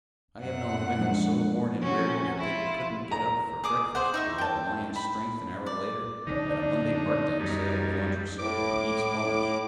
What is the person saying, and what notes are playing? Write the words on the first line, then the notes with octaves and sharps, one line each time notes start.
I have known women so worn and weary that they couldn't get up for breakfast who had a lion's strength an hour later at a Monday marked-down sale of laundry soap and Yeats's poems.
F#2 A#2 F#5
F3 G#3 D4
C3 F3 C#4 F#4
E4 F4
A#5
G#4 D6 D#6
G#4 C5 F#5
D#4 E5 C#6
G5 A5
B5
D5
D3 D4 D#4
F#2 G3 D#4
A2 D6